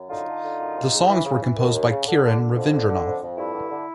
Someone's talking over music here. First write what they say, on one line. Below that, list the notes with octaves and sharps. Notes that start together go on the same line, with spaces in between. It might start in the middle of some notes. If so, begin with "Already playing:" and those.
The songs were composed by Kiran Ravindranath.
Already playing: F#2
D3 D#4 F4
D3
D3
F#2
D#2
C#3
E3
C#3
E3
D#2
D#2
C#3
D3
D3
D3
F2
D3
D3
F2
F2
G2 E4
D3
D3